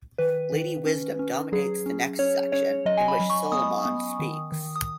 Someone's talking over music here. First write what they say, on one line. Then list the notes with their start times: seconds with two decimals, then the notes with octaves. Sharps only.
Lady Wisdom dominates the next section, in which Solomon speaks.
0.18 D#3 B4
0.52 D#3
0.86 C#4
1.19 C#4
1.52 F#3 G#4
1.86 C#4
2.19 C#4 C#5
2.52 C#4 C#5
2.86 F#3 D#5
2.97 G#5
3.08 B5
3.20 F#3
3.30 C#6
3.52 B3 D#6
3.85 B3
4.19 D#3
4.52 D#3
4.76 D#6